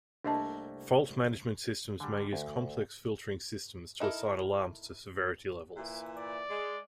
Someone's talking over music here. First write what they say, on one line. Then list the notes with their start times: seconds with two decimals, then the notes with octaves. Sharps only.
Fault management systems may use complex filtering systems to assign alarms to severity levels.
0.24 C2 A3 A#3 D4 D#5 A5
2.00 D3 G3 G#5
2.33 D2
4.00 D#4 E4 A4 A#4
5.76 A#2 E3 E4
6.17 D5
6.49 G#3